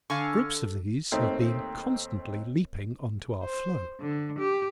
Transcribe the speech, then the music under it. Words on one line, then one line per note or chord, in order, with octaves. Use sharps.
Groups of these have been constantly leaping on to our floe.
D3 F5 G#5 C#6
D#2 A3 C4 D#4
C5
D3
G4